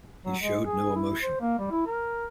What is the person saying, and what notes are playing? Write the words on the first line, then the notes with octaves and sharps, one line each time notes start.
He showed no emotion.
F#3
G#3
G#4
E4
C5
A#3
G3
E4
A#4